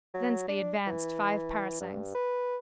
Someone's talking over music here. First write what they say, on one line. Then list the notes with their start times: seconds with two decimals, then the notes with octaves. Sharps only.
Thence they advanced five parasangs.
0.14 F#3
0.49 D4
0.87 E3
1.81 G2
2.15 B4